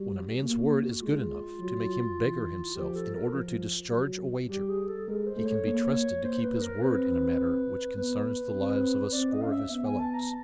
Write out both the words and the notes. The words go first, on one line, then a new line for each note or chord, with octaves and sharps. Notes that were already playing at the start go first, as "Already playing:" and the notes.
When a man's word is good enough to make him beggar himself in order to discharge a wager, he can be trusted to keep his word in a matter which concerns the lives of a score of his fellows.
Already playing: G3 F#4
A#3
G#3 F4
F#3
E3
F3 G4
A4
A#4
F3
F#3
G3 G4
G#4
A4
G#3 A#4
C5
A3
C#5
A#3
A#3 C5
B4
A#4
C4 B4
B3 B4
C4
C4 D5
D#5
C#4 F5
E5
B3 E5
G#5
A5
A#5
A5